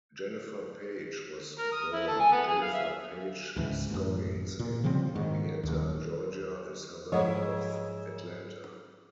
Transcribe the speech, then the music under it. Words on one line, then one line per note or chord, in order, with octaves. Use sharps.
Jennifer Paige was born Jennifer Paige Scoggins in Marietta, Georgia, a suburb of Atlanta.
A#4
D#6
E4
A4
G#5
B3
G#4
F5
E5
C#2 G#2 E3
A1 F#2
A#2
C#3 F3 G3 C4
G#2 D#3
D#1 D#2
G#2 F3 F#3 E4 G#4 C#5 D#5 F#5